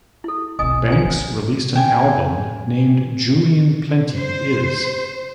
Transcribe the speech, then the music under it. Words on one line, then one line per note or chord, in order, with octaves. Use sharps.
Banks released an album named Julian Plenti is...
E4 A4
B1 C4 D#5 G#5 D#6
F4 C5 G#5
B3 C4
G5 G#5
C5